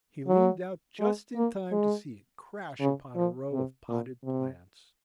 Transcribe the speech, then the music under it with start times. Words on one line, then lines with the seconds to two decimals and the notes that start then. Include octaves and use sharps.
He leaned out just in time to see it crash upon a row of potted plants.
0.27 F#3
1.00 G#3
1.36 A#3
1.72 G#3
2.80 C#3
3.16 F3
3.52 C3
3.88 A#2
4.24 C3